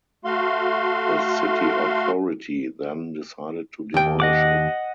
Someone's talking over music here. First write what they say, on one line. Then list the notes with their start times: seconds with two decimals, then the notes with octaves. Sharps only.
The city authority then decided to demolish it.
0.25 A3 F#4 F5 C6
3.94 D#2 G5
4.20 D#5 F#5 D6